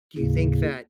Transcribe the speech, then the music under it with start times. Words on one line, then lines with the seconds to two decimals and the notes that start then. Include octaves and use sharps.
do you think that
0.18 D#2 A2 C#3